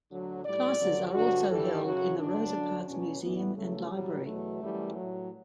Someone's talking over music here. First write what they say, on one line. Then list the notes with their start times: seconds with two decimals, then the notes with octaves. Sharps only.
Classes are also held in the Rosa Parks Museum and Library.
0.10 D2 D3 F#3
0.45 A2 G3 D5
0.80 G2 D3 F#3
1.14 G2 D3 F#3 F#4
1.49 G2 E3 G3 A4
1.83 F#2 C#3 F#3 F#4
2.18 G2 D3 F#3 D4
2.53 F#2 D3 F#3
2.87 E2 B2 F#3 C#4
3.22 A2 E3 G3 B3
3.57 E2 C#3 F#3 A3
3.91 A2 F#3 G3
4.25 E2 B2 F#3 A3
4.61 F#2 E3 G3
4.95 A2 F#3